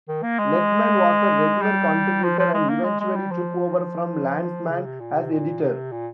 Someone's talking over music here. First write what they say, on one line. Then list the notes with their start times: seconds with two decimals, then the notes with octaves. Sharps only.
Legman was a regular contributor and eventually took over from Landesman as editor.
0.08 D#3
0.23 A#3
0.39 G#3
1.62 G3
2.24 F3
2.39 F3
2.54 G#3
2.69 A#3
2.84 G#3
3.00 G#3
3.16 G3
3.31 F3
4.69 C#3
4.85 C3
5.00 A#2
5.15 C3
5.31 A#2
5.61 C3
5.92 A#2